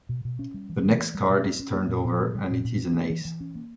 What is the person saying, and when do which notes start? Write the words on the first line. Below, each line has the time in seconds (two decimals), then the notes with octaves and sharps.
The next card is turned over, and it is an ace.
0.09 B2
0.25 B2
0.39 C#4
0.54 G3
0.69 E3
0.84 E3
0.99 A#3
1.15 G3
1.29 B2
1.44 C#4
1.60 C#4
1.74 A#3
1.89 A#2
2.05 A#2
2.20 B3
2.35 G3
2.50 A#2
2.65 A#2
2.80 C#4
2.94 A#3
3.10 E3
3.25 E3
3.40 C#4
3.55 A#3